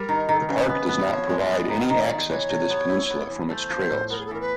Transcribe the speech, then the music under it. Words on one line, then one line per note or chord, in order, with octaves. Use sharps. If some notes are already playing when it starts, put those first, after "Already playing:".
The park does not provide any access to this peninsula from its trails.
Already playing: G3 A#4
D#3
D#3 A4
A#4
C#3 B4
B3
B3
F3 C#5
G#3
D5
B3
D#3
D#3 D#5
C#5
D#3 D5
E3 C#5
C3
B3
E4
B3
E3
A3 C5
F3
A2
B3 A#4
G#4
A4
E3 A#4
B4